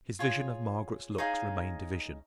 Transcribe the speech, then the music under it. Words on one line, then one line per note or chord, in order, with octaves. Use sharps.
His vision of Margaret's looks remained a vision.
F4 G#4 C#5
D#4 G#4 C#5 F5